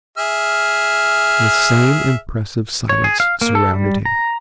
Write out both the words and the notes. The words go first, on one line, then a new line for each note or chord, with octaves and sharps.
The same impressive silence surrounded him.
G#4 E5 F6
C#5
G#4
F5
A#3
A4
G3
A#5